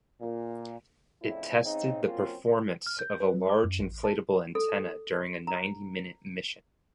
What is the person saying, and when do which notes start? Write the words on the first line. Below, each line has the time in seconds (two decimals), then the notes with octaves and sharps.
It tested the performance of a large inflatable antenna during a ninety-minute mission.
0.21 A#2
1.22 F2 A2 C#3 D4 E4
1.63 C#3 C4 D#4
2.05 F#3 A#3 C4 C#4 F4
2.86 F6
2.99 G6
3.20 B4
3.34 F#3
3.50 D6
3.64 F#2
3.79 A1
4.04 A5
4.55 A4
5.47 A#5